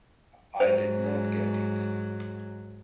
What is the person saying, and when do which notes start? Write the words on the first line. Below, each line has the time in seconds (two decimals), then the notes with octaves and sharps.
I did not get it.
0.60 G#2 F#3 C5